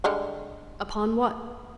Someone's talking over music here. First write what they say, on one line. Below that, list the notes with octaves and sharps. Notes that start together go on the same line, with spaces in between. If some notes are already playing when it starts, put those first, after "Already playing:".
"Upon what?"
D3 G3 G#3